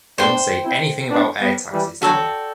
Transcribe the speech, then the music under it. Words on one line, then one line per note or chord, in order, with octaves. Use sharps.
Don’t say anything about air taxis to me!
B3 D4 C5 G5 C6
C4 E4
B3 D4
G3 B3
E3 G3
D3 F#3 F#4 A4 D5 G5